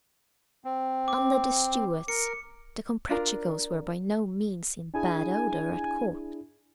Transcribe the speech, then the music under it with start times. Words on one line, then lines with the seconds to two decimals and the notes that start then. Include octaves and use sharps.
Under the Stuarts, the Comprachicos were by no means in bad odour at court.
0.65 C4
1.08 D6
2.08 A#4 C#7
3.09 D4 F4 A#4
4.94 D4 E4 G#4 G#5